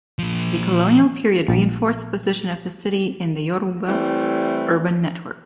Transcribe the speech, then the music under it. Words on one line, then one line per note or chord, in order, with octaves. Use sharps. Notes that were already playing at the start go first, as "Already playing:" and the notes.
The colonial period reinforced the position of the city in the Yoruba urban network.
A#2 F3
A#1
E3 G3 A3 C4 E4